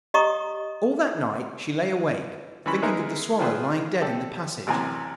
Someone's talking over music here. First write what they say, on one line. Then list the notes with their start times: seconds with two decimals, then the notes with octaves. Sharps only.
All that night she lay awake, thinking of the swallow lying dead in the passage.
0.14 G4 D#5 A#5 C#6 D#6
2.66 E3 G#3 C#4 B5
2.82 G#3 B3 D#4 E4 G#4 A#4
3.38 D#3 F3 F4 G#4 B4 C5
4.01 D4 G4 A4 D5
4.67 A1 F#2 C3 E3 G#5 A#5